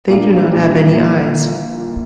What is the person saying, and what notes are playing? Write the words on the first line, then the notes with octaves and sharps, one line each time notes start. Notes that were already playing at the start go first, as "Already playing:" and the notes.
They do not have any eyes.
A#2 A#3 D4 F4
C2 A#2 G3 D4 G4
A#1 A#2 A#3